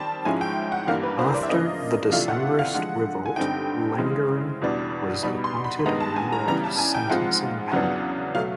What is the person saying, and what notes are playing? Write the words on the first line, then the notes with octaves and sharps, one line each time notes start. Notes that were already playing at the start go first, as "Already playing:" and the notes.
After the Decembrist revolt, Langeron was appointed a member of the sentencing panel.
Already playing: D#3 G3 C4 A5
G#2 F3 G#3 C#4 E4 G#5
G5
F#5
G2 E3 G3 A#3 F5
B4
C5
D5
E5
C#3 F3 A#3 D4 F4 D#5
C3 E3 A3 D4 F4 F5
F#5
F5
D3 F3 G#3 F#5
G#5
G2 D3 G3 C4 D#4 G5
C#3 E3 G#3 C4
E2 B2 G3 B3 D4
B2 G3 B3 D#4 B5
C6
B5
B5
G2 D#3 G#3 B3 D#4 A#5
A5
G#5
A#5
C#3 E3 G3 B3 A#5
A5
G#5
G5
G#2 F3 G#3 C4 F4 F#5
E2 C#3 F#3 B3 D4 F#5
B2 F#3 A3 F5